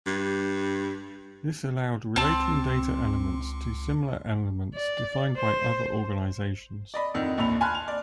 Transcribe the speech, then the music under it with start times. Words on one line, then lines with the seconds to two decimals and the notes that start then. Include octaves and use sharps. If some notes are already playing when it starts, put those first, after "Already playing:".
This allowed relating data elements to similar elements defined by other organizations.
0.06 G2
2.16 C#2 C4 A5
4.75 D5
5.37 C5
6.94 D5 D#5 B5
7.14 F2 D3 D#3
7.37 A#1 D#2 D3 B5 F7
7.61 G#5 A5 B5 C6 F6 F#6
7.75 F7
7.88 D5